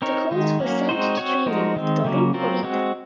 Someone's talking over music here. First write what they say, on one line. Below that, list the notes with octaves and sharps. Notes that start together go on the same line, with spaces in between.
The colt was sent into training with Toru Kurita.
C4 D#4 A#4 C#5
D#3 G#3 D#4
F#3 A#3 C#4
G#3 C4 D#4 F#4 C5
C4 F#4 C#5
F3 G#3 D#4 F#4 A#4
D#3 G#3 C4
C#3 F#3 A#3
F#3 C4 F4 A#4
G#3 C4 F#4